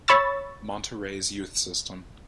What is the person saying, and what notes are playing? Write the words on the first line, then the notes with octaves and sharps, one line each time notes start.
Monterrey's youth system.
C#5 B5 C#6 E6 A6